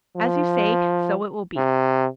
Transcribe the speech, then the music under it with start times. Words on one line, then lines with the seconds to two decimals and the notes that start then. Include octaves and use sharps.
As you say, so it will be.
0.16 F3
1.57 C3